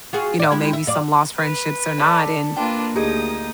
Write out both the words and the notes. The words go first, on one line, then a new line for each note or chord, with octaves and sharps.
you know, maybe some lost friendships or not." And,
F4 F#4 G#4
D5 F5
G#3 E4 G4
E5
F#2 D5 F5
B4
A4 D5 B5
A#3 D4 F4 B4 G5
D2 D#4 G4 G#4 D#5 D#6